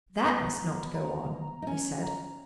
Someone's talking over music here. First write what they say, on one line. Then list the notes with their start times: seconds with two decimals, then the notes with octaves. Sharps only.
"That must not go on," he said.
0.23 B3 A#5
0.86 B5
0.95 A#5
1.62 D#4
1.67 C#4
2.02 A#5